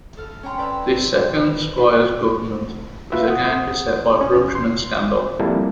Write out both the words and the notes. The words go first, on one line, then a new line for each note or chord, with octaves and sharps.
This second Squires government was again beset by corruption and scandal.
A4 F6
C#4 C#5 G5 A#5 C6
B4 D5 G5 A#5 E6
C5
A#4 B4
E4 G4 C5 D5
F4 B4 E5
F#5 D#6
C2 C#4
C6
F3 G3 A#3 C4 E4 A4